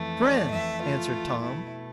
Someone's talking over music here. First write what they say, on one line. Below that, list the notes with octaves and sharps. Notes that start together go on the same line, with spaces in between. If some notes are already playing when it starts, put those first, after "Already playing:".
"Friend," answered Tom.
Already playing: F2 E3 A3
D5
E5
F4
B2 A3 E4